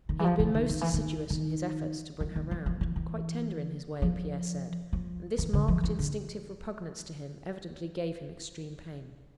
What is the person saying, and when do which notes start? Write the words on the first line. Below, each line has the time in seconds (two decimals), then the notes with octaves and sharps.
He had been most assiduous in his efforts to bring her round; quite tender in his way, Pierre said; and this marked, instinctive repugnance to him evidently gave him extreme pain.
0.09 D#3
0.19 E3
0.24 F3
0.40 E3
0.54 D#3
0.69 D#3
0.81 E3
0.94 D#3
1.30 D#3
2.20 F3
2.36 D#3
2.51 F3
2.66 F3
2.81 E3
2.96 E3
4.02 F3
4.93 F3
5.38 E3
5.53 D3
5.68 F3
5.84 E3
5.99 D3